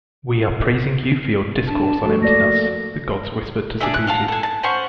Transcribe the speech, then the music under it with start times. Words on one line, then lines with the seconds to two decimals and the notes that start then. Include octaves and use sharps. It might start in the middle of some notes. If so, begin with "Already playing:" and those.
"We are praising you for your discourse on emptiness," the gods whispered to Subhuti.
1.67 D4 A5
2.03 F3 A3 F#4 A4
2.22 A#3 D5 A#6
3.80 D4 G#4 D5 E5
3.94 F#6
4.07 F5 F#5 A5
4.28 A4 G#5
4.43 A5
4.63 C#4 C5 F#5 C#6